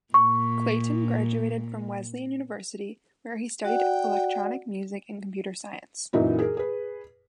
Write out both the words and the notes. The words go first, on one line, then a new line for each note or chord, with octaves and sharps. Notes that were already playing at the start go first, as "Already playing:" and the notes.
Clayton graduated from Wesleyan University, where he studied electronic music and computer science.
A#2 C#6
F#4 D5 F#5 G5
F#2 A#2 E3 D#4 E4 F#4
G#4 A#4
G#4 B4